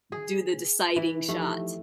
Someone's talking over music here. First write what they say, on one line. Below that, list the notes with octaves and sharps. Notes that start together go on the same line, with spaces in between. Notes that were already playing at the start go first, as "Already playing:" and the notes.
do the deciding shot.
G#4
E3
F3 A3 D#4 G4